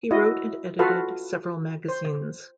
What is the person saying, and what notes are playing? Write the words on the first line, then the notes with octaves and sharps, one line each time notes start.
He wrote and edited several magazines.
E4 F#4 D#5
F4 F#4 A4 B4 F5
C5